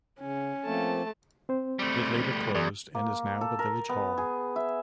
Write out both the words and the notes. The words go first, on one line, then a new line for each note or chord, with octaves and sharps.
It later closed and is now the Village Hall.
C#3 C#4
F3 A3 A#3 C4 A5
C4 C5
G3 A3
E2 G#4 D5 C6
A#3
A4
A#4
B3
G#4
E5